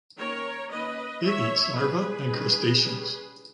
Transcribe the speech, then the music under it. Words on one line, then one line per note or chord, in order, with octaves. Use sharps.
It eats larvae and crustaceans.
D#3 A#3 C#4 A#4 C#5
D#3 A#3 C#4 B4 D#5
E3 G#3 B3 C#5 E5
E3 G3 B3 G#4 B4
D#3 G#3 C#4
G3 C#4